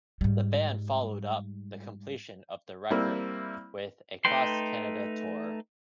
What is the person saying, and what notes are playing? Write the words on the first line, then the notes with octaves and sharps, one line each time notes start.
The band followed up the completion of the record with a cross-Canada tour.
G#2 G3
G3 A#3 C4 E4
A3 D#4 B4 G5 C6